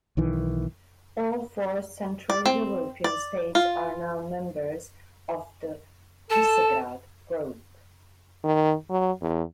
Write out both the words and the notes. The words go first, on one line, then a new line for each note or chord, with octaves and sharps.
All four Central European states are now members of the Visegrad Group.
B1 D#3 E3
D5
C4
D5
F4
A4 A5
D#3
F#3
E2